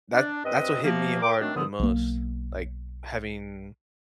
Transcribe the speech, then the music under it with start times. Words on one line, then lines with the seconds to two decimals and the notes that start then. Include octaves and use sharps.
That that's what hit me hard the most. Like, having
0.14 D4
0.44 G2 C4 B4 D#5
0.83 C3 F3 A#3
1.22 A#4 G5 D6
1.40 D#3 F#3 A3 C4 D4
1.55 C2 G2 D3 F3 B3 D#6
1.79 B1 A#3